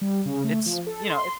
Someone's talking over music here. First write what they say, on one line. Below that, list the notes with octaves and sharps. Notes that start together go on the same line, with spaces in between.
it's, you know, it
G3
C#3
A3
F3
A4
C6